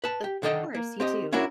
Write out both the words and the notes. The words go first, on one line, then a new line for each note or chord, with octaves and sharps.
Of course, you too.
B4 A5
G4
D3 D#3 A4 D#5 G5
A#3
C4 G4 D#5
C#4 D4 E4 F#4 A#4